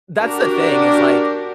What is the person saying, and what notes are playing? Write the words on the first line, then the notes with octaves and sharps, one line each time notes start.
That's the thing is, like,
D4 F#4 G4 A#4